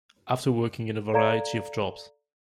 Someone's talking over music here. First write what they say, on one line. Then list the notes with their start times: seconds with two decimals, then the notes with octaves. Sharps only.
After working in a variety of jobs.
1.13 A4 D5 F5 A#5 G#6 D7